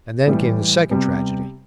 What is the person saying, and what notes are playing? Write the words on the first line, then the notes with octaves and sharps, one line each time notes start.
And then came the second tragedy.
A2 E3 G3
C3 G3 B3